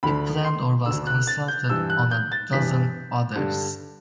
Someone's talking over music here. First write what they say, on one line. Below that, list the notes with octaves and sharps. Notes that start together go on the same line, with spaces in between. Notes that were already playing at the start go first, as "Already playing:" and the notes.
He planned or was consulted on a dozen others.
D2 D3 B5
C6
D2 D3 E6
F#6
A6
G6
G2 E3 E6
F#6
G6
A6
G2 E3 B6
G2 D3